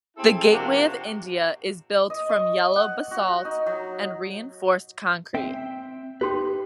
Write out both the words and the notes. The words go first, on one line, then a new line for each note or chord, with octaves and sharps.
The Gateway of India is built from yellow basalt and reinforced concrete.
C4 E4 G#4 A4
C3 F3 A#3 D4 F#4 G4
D#5
C#6
F#5
F#4
D#4
F#3
C4 E5 G5
D#4 G4 B4 C6